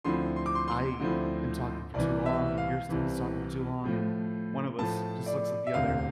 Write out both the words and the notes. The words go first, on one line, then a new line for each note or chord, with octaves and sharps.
I am talking for too long or here's he's talking for too long, and one of us just looks at the other,
D2 D3 F3 C4 E4 C6
C6
D6
C6
C6
D2 D3 F3 C4 E4
C2 C3 E3 D5
E5
F5
C2 C3 E3
A2 F3 A3
A2 F3 A3 A5
D5
E5
E1 D2 C3 F5